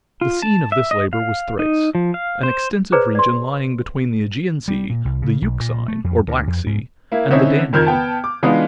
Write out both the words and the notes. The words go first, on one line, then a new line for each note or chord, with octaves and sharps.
The scene of this labor was Thrace, an extensive region lying between the AEgean Sea, the Euxine or Black Sea, and the Danube.
F4
A5
E5
D#5
F5
D#4
F3
F5
C5
G#4 B4 C5 D5 A#5
D5 C6
G3
A#2
C2
C#3
B1
A#2
A3
F2
D2
F2
G#2
A#3 E4
D3 C4 C#4 D#4 E4
F2 D#3 A#4 F6 G6 G#6
B3 G5 A5
D6
E3 G#3 B3 D4 D#4 F4